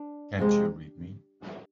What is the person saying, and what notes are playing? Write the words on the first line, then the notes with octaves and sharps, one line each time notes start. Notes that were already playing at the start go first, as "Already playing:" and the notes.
Can't you read me?
Already playing: D4
F2 C3 G#3